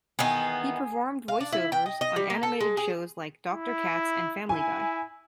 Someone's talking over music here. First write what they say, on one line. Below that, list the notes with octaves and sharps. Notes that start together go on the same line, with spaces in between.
He performed voiceovers on animated shows like Doctor Katz and Family Guy.
D#3 E3 B3 G#4
F5
D4
E4
G5
D#5
D#5
G3
A#3
A4
G#3
G#4
E4
E4 G#5